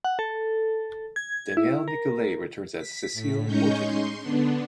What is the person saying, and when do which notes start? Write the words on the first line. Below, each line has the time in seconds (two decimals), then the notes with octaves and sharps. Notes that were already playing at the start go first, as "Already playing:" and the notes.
Danielle Nicolet returns as Cecile Horton.
0.05 F#5
0.19 A4
1.16 G#6
1.57 E4
1.88 A#4
2.78 B6
3.13 A2
3.46 G#3 C#4 D#4 D#5 C#6 G6
3.78 C6
4.21 D3 B3 D4